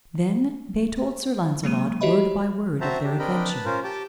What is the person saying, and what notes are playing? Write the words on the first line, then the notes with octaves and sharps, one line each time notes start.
Then they told Sir Launcelot word by word of their adventure.
F#3 G#3 A#3 D#7
F#4 G4 C#5 D#5 E5 B5
C4 F#4 C5 E5 A5 A#5
D4 G4
C4 D4 A#4 D#5 G5 B5
B4 A5 B5
C#4 F4 A#4 C5
G4 G5 A5 D6